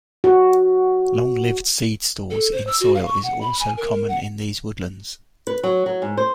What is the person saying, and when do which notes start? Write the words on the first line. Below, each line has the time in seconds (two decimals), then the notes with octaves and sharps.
Long-lived seed stores in soil is also common in these woodlands.
0.24 F#4
2.31 A4
2.52 C5
2.67 E6
2.81 F#4
2.94 F5
3.06 C#6
3.23 F#5
3.41 B5
3.60 G#5
3.77 A#4
3.91 A#4
4.08 F#5
5.47 B4
5.63 F#3
5.86 F#3
6.02 G#2
6.17 C5